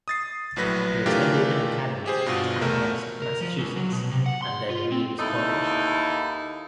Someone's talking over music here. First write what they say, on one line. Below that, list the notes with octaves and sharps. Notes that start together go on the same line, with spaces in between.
He attended an academy at Amherst, Massachusetts, and then Williams College.
D#6 A6 C7
A#1 A2 F#3 B4 A#6
E3 A3 D4 F4 G4 A#4
G4 G#4 C5
G2 B2 F4 F#4
E2 A3 A#4
A#4
F3
C#2
F#3
B2
C3
F#5
C6
F4
C4
D#2 D#4 E4 A4